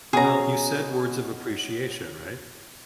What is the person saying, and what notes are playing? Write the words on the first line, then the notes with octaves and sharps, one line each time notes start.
Well, you said words of appreciation, right?
B2 C#4 G#4 A#5